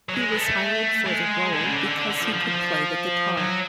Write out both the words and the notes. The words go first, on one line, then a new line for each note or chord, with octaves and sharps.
He was hired for the role because he could play the guitar.
F#3
G#3
B3
A3
G#3
D3
C#3
D3
D3
D3
D3
F3
F3
F3
F#3